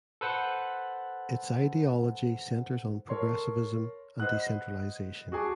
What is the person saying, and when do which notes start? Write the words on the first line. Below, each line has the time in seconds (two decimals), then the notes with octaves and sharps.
Its ideology centers on progressivism and decentralization.
0.21 A4 B4 C5 F#5
3.09 A4 A#4 C#5 C6
4.20 B4 C5 D#5 F#5 F#6
5.32 F#4 G#4 G#5 A5 D6